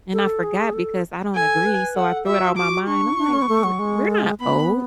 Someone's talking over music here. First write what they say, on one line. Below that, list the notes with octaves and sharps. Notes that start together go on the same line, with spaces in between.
and I forgot because I don't agree, so I threw it out my mind. I'm, like, "We're we're not old,
A4
G#4
A4
A4 G#5
B4
A4 F#5
F#4 E5
F#4 D6
D4 C#6
E4
D4
C#4
B3
A3
F#3
G#3
B3 B5